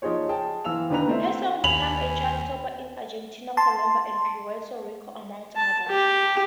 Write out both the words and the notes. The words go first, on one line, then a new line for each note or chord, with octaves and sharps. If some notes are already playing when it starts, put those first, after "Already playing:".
Her song became a chart-topper in Argentina, Colombia, and Puerto Rico, among others.
F3 D#4 G#4 C5 C#5
G#4 G5 A5
E3 C5 F5 E6 F7
D#2 D3 D4 B4 A#5 F7
A3 C4 E4
D#2 G#5 B5 F7 F#7
A5 C6
A5
G4